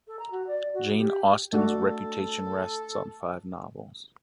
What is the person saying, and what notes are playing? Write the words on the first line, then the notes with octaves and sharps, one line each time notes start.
Jane Austen’s reputation rests on five novels.
A4
A#5
F#4
D5
F#4
G4
A3 D4 F#4 A4